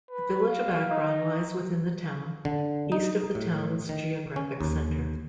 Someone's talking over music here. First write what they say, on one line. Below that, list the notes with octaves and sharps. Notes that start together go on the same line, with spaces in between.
The village of Akron lies within the town, east of the town's geographic center.
B4
F5
D#4
D3
D#4
A2
D#3
C#4
D#2